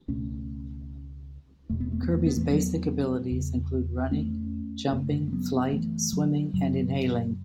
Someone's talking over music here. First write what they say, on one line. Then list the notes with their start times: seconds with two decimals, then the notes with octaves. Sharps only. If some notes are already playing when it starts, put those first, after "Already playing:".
Kirby's basic abilities include running, jumping, flight, swimming, and inhaling.
0.08 C#2 B2 A3 C#4
1.70 E2 B2 A3
1.80 B3
1.92 A3
2.03 B3
2.14 A3
2.26 B3
2.37 E3 A3
2.50 F#3 B3
3.31 E2 C#3
4.11 A3 C#4
4.92 F#2 C#3 A3 C#4
5.28 A3
5.32 F#3 B3
5.72 E3 A3
6.13 F#3
6.53 F#2 C#3 F#3